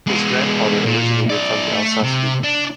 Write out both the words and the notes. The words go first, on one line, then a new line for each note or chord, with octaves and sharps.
His grandfather originated from the Alsace region.
G#3 B3
A#2
B1 D5
A3
C3
D4